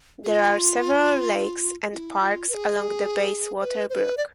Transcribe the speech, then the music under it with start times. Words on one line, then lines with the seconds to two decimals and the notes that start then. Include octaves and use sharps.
There are several lakes and parks along the Bayswater Brook.
0.24 G#4
0.28 F4
1.92 F4
1.96 E4
2.21 F4
2.49 B4
2.54 G#4
3.61 C5
3.65 B4
3.90 C5
3.94 B4
4.17 D5